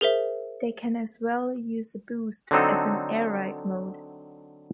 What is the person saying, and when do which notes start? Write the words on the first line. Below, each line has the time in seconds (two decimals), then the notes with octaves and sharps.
They can as well use a boost, as in Air Ride mode.
0.01 G#4 A#4 C5 E5
2.51 D3 F#3 C4 D#4 A4